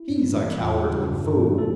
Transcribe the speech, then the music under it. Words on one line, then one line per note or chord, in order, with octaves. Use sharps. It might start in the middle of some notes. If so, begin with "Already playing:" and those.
"He's a cowardly fool!"
Already playing: E4
G2
E3 G3
E2 F4
C#3 G3
G2
F3 A3
A4